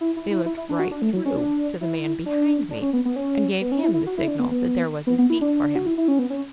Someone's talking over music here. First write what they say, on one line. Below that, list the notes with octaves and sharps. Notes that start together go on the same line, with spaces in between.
They looked right through to the man behind me, and gave him the signal that there was a seat for him.
E4
E4
E4
E4
E4
D4
F#4
D4
A3
F#3
C#4
D4
E4
D4
D4
C#4
B3
B3
C#4
B3
C#4
E4
E4
F#4
E4
D4
B3
B3
B3
B3
E4
D4
F#4
E4
E4
C#4
B3
C#4